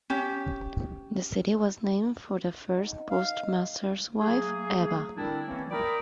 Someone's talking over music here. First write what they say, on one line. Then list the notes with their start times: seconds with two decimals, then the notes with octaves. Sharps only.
The city was named for the first postmaster's wife, Eva.
0.10 C#4 G4
2.77 D#4 F#5
3.11 F5
4.19 F#3 A3 A#3 G#4
5.16 D3 G3 C4 D4 E4 A#4
5.46 E3 A3 A#3 C4 C#4
5.71 A#4 D5 E5 G5 B5 D#6